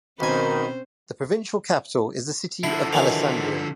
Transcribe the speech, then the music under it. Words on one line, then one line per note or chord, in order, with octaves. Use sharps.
The provincial capital is the city of Alessandria.
B1 D#3 C4 C#4 C5 G#5 B5
D3 F3 E4
D#3 E3 F#3